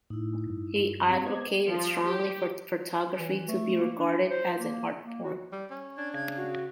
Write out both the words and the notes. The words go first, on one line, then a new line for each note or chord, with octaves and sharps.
He advocated strongly for photography to be regarded as an art form.
A2 D#4 E4
G2
C4 G4 F5
B3 C5 D#5 D6 G#6
F3
G4
E3
A3
A#3
D4
C5
A#3
A#3
F#4
G3
C#4
D4 G#6
C#3 G#6
F#4